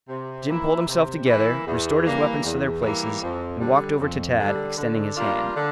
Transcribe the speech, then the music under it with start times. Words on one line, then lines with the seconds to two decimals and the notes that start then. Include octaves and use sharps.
Jim pulled himself together, restored his weapons to their places, and walked over to Tad, extending his hand.
0.09 C3
0.48 E3 A#3 E4
0.87 C3
1.26 E3 A#3 E4
1.66 E2
2.04 E3 G3 A#3
2.44 E2
2.82 E3 G3 A#3
3.21 F2
3.60 D3 G3
3.99 F2
4.38 D3 G3
4.77 D3
5.17 G3 A#3 D4 F4
5.56 D3